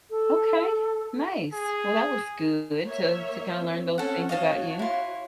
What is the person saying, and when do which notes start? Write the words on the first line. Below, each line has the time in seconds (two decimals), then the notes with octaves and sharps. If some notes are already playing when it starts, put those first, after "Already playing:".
Okay, nice. Well, that was good to to kinda learn those things about you.
0.10 A4
1.54 G#4
2.84 A#3 C#5 E5
3.57 C4
3.98 C#4 A4 F#5
4.29 F#4 C#5 D#5 F5 A5
4.79 E4 F4